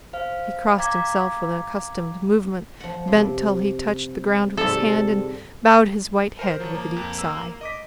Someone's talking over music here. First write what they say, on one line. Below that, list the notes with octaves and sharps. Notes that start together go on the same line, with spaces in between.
He crossed himself with an accustomed movement, bent till he touched the ground with his hand, and bowed his white head with a deep sigh.
C5 F5 F6
F5 G5 A#5 D6 G#6 B6
F3 F#5
C3
G#2 C3 G3 A4
A#4 C5 C6
F3 F#3
A#3
F2
E6
D#5 D6 B6